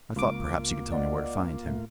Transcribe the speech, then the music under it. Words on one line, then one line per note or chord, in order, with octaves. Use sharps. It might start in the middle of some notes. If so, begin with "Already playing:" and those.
I thought, perhaps, you could tell me where to find him.
C#2 A#3 F4 D6
D5 D#5 F#5
A2 A3